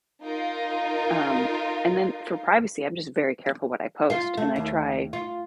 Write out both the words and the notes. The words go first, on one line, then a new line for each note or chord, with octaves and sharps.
um, and then for privacy, I'm, just, very careful what I post and I try
D#4 F4 A#4 F5
F4
A3
D#2
F4